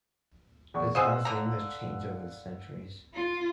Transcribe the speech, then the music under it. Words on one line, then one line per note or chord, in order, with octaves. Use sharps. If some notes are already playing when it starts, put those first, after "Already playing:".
The town's name has changed over the centuries.
E2 C#6
G#4 C5 D#5 F5 F#5 E6
D3 A#5
F4